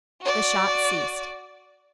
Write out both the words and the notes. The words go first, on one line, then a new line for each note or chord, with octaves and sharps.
The shots ceased.
F#4 D5